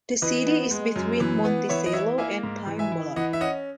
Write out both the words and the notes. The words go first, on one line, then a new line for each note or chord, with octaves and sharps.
The city is between Monticello and Pine Bluff.
E3 B4 D#5
B3
G#3
F#2
E3
B3
E3 C#5 E5
D#5
E4 C#5 E5
A#3 E5 G#5
G#2
E3
E5 G#5
E4
E3 D#5 F#5
E5
C#4 D#5 F#5